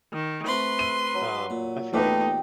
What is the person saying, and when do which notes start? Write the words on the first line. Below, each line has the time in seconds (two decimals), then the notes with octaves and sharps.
Um, I feel like
0.12 D#3
0.47 A3 C4 F#4 B4 C6
0.79 E5 D#7
1.14 F#3
1.50 A#2
1.94 E2 A#2 A3 D#4 G4 B4